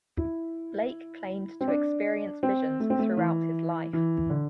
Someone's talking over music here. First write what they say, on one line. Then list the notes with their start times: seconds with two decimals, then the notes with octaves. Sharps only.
Blake claimed to experience visions throughout his life.
0.18 E4
1.61 C4
1.68 D4
2.43 C4
2.80 A3
2.90 C4
2.99 A3
3.17 E3
3.93 E3
4.30 D3